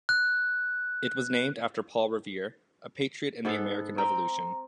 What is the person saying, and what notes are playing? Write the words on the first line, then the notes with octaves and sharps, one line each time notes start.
It was named after Paul Revere, a patriot in the American Revolution.
F#6
G#2 B3 A4
C4 G5 A#5